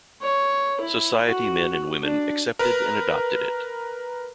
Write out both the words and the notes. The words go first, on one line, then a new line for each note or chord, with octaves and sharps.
Society men and women accepted and adopted it.
C#5
E4
F#4
D4
A#4 B4